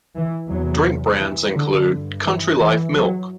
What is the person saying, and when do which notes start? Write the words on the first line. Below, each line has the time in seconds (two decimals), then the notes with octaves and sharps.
Drink brands include "Country Life Milk".
0.16 E3
0.50 E2 C3 F#3
1.20 E3
1.55 D3
1.89 G2
2.24 E3
2.59 E3
2.94 F#3